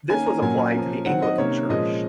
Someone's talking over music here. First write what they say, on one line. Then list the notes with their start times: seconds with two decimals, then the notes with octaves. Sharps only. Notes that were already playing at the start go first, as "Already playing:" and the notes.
This was applied to the Anglican Church.
0.10 D#3 A#3 C#4 G#5
0.26 A#5
0.42 A#2 F#3 A#3 C#4 G#5
0.75 F3 A#3 C#4
1.06 D#3 F#3 C4 F#5
1.22 D#5
1.38 C3 D#3 A#3 C#4 C#5
1.69 A#2 F3 G#3 C#4 D#5